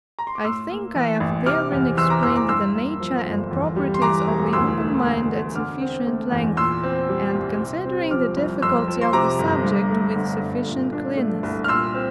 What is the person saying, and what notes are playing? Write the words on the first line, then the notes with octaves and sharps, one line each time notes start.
I think I have therein explained the nature and properties of the human mind at sufficient length, and, considering the difficulty of the subject, with sufficient clearness.
A#5
C6
D6
A2 C6 E6
A#3
E3
A1
C3 D6 F6
E2
E3 C6 E6
A#5 D6
E2 C6 E6
A#5 D6
G2 C6 E6
A#3
F3
G1
E2
G3
C6
E3 A#5 D6
E1
D2 C6 E6
A3
D3
E1
D3 D6 F6
C4
A3
E2
A#2 C6 E6
C4
G3
C2
C3
C4
F3 D6 F6
C2
F2 C6 E6
F3
C6
C3 A#5 D6
G1
G2
A3
D3
G1
A#2
D4
A3
C2
F6
A#2 C6 E6
C4